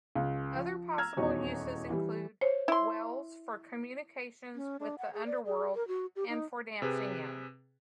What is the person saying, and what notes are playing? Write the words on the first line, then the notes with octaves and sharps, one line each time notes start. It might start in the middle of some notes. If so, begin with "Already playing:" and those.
Other possible uses include wells, for communications with the underworld and for dancing in.
C#2
F3
A#5 E6 F6 G#6
D#1 E2 D#4 F#4 C#5
E3 G3
C5 C#5
E4 C6
C#4
D4
F#5
G#4
D5
G#4
A#4
F#4
G4
D#4
C3 G#4 B4